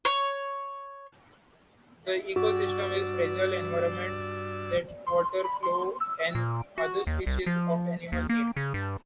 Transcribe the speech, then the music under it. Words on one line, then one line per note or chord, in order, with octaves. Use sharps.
The ecosystem is a fragile environment that waterfowl and other species of animals need.
C#5
G2 F#4 D5 E6
A#2
F#4
D#2
C2
F3
D#2
A#3
C#3
G2